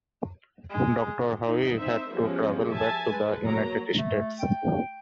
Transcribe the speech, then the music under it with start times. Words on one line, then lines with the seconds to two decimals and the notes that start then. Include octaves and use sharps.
Doctor Howe had to travel back to the United States.
0.70 G#3
1.45 D#4
1.79 C4 D#4 C5 E5
2.11 F3 G3 G#3 B3 C#4
2.71 E5 G#5 A5
3.08 G#3 B4
3.44 F#3 A#3 A#5
3.98 A3
4.40 G5